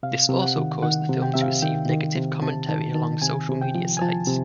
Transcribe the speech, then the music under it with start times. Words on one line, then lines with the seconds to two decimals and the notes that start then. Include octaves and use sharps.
This also caused the film to receive negative commentary along social media sites.
0.03 C3 F5
0.29 C3
0.42 F#5
0.56 D#3
0.83 D#3 F#5
1.09 C3
1.22 G5
1.34 C3 E5
1.42 F5
1.62 D#3 G5
1.89 D#3
2.16 C3
2.42 C3 A5
2.68 D#3 A5
2.94 D#3 A5
3.22 C3 G#5
3.49 C3
3.62 G5
3.75 F3
3.97 G#5
4.01 F3 A5
4.27 C3